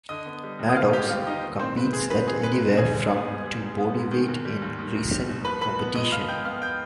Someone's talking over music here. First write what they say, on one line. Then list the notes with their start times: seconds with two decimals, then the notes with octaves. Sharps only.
Maddox competes at anywhere from to bodyweight in recent competition.
0.09 D3 D#5 D#6
0.26 B3
0.44 G3
0.59 D#2
0.70 D#6
0.76 D3 F5 F6
0.93 B3 G4 G5
1.09 G3 F4 F5
1.26 D#2 D#4 D#5
1.43 D#3
1.60 C4 C5
1.77 G#3 B4
1.93 D#2 G#4
2.10 D#3 B4
2.27 C4 G#4
2.43 G#3 B4
2.60 D#2
2.77 G3 G#4 G#5
2.95 G#2
3.10 B3
3.28 G#2
3.44 G3
3.61 G#2
3.78 B3
3.94 G#2
4.11 D#3
4.28 D#2
4.45 G3
4.62 D#2
4.79 D#3
4.96 D#2
5.11 G3
5.29 D#2
5.45 F3 B4 B5
5.61 G#2 B4 B5
5.79 B3
5.95 G#2 D#5 D#6
6.12 F3 F5 F6
6.29 G#2 G5 G6
6.45 B3 F5 F6
6.62 G5 G6